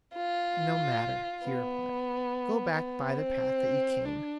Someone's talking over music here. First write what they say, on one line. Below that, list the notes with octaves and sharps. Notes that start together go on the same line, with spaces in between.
"No matter," he replied, "go back by the path that you came."
F4
B3
B3
C4
D4